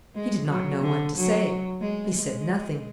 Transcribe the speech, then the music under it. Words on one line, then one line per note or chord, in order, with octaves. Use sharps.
He did not know what to say; he said nothing.
G#3
F#3
D3
F#3
G#3
G#3